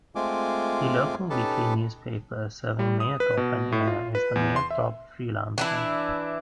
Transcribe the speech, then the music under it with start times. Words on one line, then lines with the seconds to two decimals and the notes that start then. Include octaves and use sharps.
The local weekly newspaper serving Mayerthorpe and area is the "Mayerthorpe Freelancer".
0.15 G#3 A3 C4 F4 G#5 D6
1.30 C#4 D#4 G4 A4 B4 A5
2.79 G3
3.00 D#6
3.20 B4
3.37 B2
3.72 A2
3.88 F4
4.15 B4
4.36 E2
4.56 C6
4.70 E5
5.58 E3 D4 E4